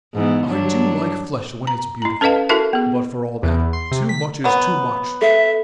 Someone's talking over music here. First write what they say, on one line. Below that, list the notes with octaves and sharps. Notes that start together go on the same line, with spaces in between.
I do like flesh when it's beautiful, but for all that, too much is too much.
G#2 E3 B3
G2 F#3 D4
A#5
E4 A#5
C#4 A4 B4 D#5 F5 A5
E4 F#4 A4 A#4 E5 A5
B3 G#4
E2
C6
C3
B6
F#3 B3
A4 E5